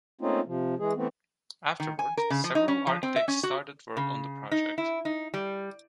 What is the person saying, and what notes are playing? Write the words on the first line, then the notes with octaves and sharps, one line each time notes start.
Afterward, several architects started work on the project.
A3 A#3 C4 C#4 D#4 F4
C3 F3
E3 G#3 G#4
E3 A3 B3 C4
D#3
G#5
A#4
C#3
F3
D#4
C#4
F3
C4
E5
C#4
F#4
C#3
D#4
E4
D#4
G3